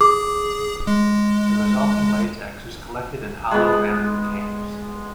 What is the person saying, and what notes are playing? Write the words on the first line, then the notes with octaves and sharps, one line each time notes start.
The resulting latex is collected in hollow bamboo canes.
G#4 D6
G#3
G#3 B3